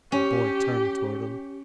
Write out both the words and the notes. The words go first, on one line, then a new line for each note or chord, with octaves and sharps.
The boy turned towards him.
C#4 G4